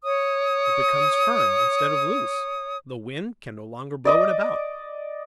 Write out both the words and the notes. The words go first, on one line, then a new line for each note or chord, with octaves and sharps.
It becomes firm, instead of loose; the wind can no longer blow it about.
C#5 D#6
D5 D#5 D6